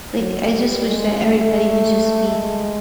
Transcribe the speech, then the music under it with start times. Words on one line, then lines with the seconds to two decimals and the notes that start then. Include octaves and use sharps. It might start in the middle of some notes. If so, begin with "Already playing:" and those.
Like, I just wish that everybody would just be
0.18 F#3
0.53 G3
0.88 G#3
1.23 A3
2.29 G#3